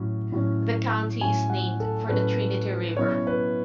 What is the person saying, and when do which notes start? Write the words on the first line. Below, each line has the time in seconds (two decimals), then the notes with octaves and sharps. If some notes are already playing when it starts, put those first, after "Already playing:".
The county is named for the Trinity River.
Already playing: A2 F#3 C#4
0.32 A2 F#3 C#4
1.21 A2 F#3 C#4 G#5
1.50 F#5
1.80 A4
2.09 A2 F#3 C#4 B4
2.97 B2 F#3 C#4 E4 C#5
3.27 B4